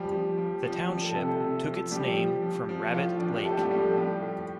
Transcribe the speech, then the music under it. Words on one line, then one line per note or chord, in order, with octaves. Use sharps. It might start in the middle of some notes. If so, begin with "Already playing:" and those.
The township took its name from Rabbit Lake.
Already playing: F3 G3 G4
F3
F3
F3
F3
A4
C3 G4
A3 A4
C3
F3
F3 G3 G4
F3
F3
F3
A2 F3 F4
F3 D4
G4
A2 A3 A4
G3 G4
F3 G3 G4
A3 A4
A2 G3 G4
A2